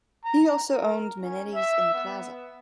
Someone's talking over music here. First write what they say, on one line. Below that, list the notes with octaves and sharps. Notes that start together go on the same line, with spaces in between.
He also owned Manetti's in the Plaza.
A#5
A#4
C#4
E5
B3